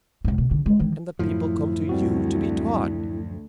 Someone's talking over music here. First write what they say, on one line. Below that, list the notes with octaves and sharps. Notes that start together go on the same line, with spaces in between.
And the people come to you to be taught.
F1 G#2
B2
D3
G#3
D#3 E3
F#2 A2 F3 E4
D2 G3 C4 F#4